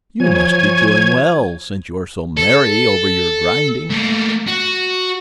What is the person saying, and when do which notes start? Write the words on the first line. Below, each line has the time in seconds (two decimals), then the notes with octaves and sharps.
"You must be doing well since you are so merry over your grinding."
0.20 F3 C#5 G#5 G#6
2.37 A4
3.90 A3 A#3
4.47 F#4